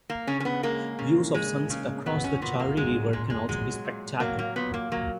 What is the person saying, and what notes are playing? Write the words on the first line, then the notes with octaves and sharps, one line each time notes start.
Views of sunset across the Chari River can also be spectacular.
A#3
C#3 C#4
C#4
B3
G#3 A#3
C#3
G#3
C#3
F#3 B3
C#4
A#2 B3
A#3
F#3 G#3
A#2 G#3
G#3
F#3 G#3
A#2
F#3 A#3
A#3
A#2 B3
A#3
F#3 A#3